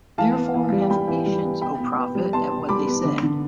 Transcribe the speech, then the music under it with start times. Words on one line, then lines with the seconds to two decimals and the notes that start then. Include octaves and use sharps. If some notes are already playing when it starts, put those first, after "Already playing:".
Therefore, have patience, O Prophet, at what they say.
0.18 E3 F5 A5
0.36 B3
0.54 E3
0.72 G3
0.90 G3 G5 B5
1.08 E3
1.26 G3
1.44 B3
1.61 B2 G5 B5
1.80 B2
1.97 B3
2.15 G3
2.33 B3 A5 C6
2.50 B2
2.69 G3 B5 D6
2.87 B3
3.04 D3
3.23 D3